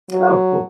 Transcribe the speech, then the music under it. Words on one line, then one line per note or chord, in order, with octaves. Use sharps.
Oh, cool.
F#3